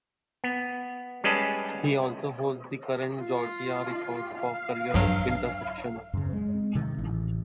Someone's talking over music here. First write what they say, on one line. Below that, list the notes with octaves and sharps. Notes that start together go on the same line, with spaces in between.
He also holds the current Georgia record for career interceptions.
B3
G3 G#3 C#4 G#4 B4 A5
F4
F5
A#1 G2 F#3
F#2 C#3
G#3
C3 D#3
A1